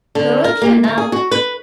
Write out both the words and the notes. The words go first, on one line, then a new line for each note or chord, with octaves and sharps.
Dorothea, now.
D3
A#4
A#3
D2
G#4
F#4
B4